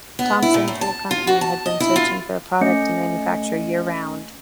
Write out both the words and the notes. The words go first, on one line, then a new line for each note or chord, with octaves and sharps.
Thompson Tool Company had been searching for a product to manufacture year-round.
B3
E4
A#2
A2
A5
F4
F#4
A5
D#5
E4
F4
A3 C#4 D#5 C#7